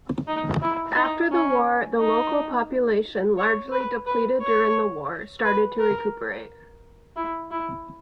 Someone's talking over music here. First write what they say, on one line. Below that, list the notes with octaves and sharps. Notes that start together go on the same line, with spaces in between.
After the war the local population, largely depleted during the war, started to recuperate.
D#4
E4
D#4
C#4
D#4
C#5
B4
B4
C#5
B4
A#4
E4
E4